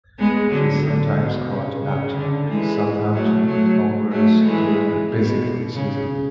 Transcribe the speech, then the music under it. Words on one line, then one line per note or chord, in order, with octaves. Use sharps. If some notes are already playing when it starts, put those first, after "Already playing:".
She sometimes called at Southampton homewards during the busy fruit season.
G#3 B3
D3 F#3
D3
B2
C#3
C#3
D3
E3 G#3
F#3 A3
F#3 A3
F#3 A3
E3 G#3
B2
C#3